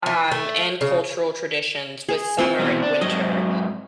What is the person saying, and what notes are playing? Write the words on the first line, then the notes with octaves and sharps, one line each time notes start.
um, and cultural traditions with summer and winter.
E3
A3
C#3
G#4
C4 F4 E5
B2 E3
D4
G#2 F#3 D#5